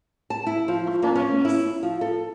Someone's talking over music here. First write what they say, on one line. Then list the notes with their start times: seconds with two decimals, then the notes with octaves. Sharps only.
'I've done it, miss.
0.30 A5
0.47 E4
0.68 F3
1.03 A#3
1.15 C#4
1.45 E4
1.83 F3
2.01 A4